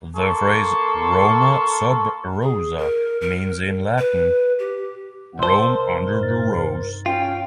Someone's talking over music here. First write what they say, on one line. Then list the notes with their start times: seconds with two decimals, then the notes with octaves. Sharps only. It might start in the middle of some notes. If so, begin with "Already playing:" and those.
The phrase "Roma Sub Rosa" means, in Latin, "Rome under the rose".
0.16 A#3 A4 C6 C#6
2.42 G#4
2.78 A#4
3.21 A#4
3.98 B4
4.59 G4
5.39 C2 C5 A5 C6 E6
5.67 A#4
6.19 G2 D#4 A6
7.06 C#4 F4 G5